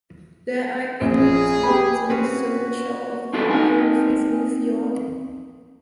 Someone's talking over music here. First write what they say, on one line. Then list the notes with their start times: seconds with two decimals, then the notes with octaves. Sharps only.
There are Inuit ruins on the southern shore of the island facing the fjord.
1.01 A#1 G#4
1.63 G4 B5
2.10 A#2 C4 C#4 F#4 B4
3.33 C4 D4 F4 F#4 A4 B4
3.49 C4 D#4 G#5